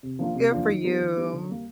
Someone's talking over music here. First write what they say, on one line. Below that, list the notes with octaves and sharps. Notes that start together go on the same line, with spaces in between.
Good for you.
C3
F3 A#3 D4 F4
C3
F3 A#3 D4 F4
D#3
G3 B3 D#4
D#3
G3 B3 D#4
D3
G3 A#3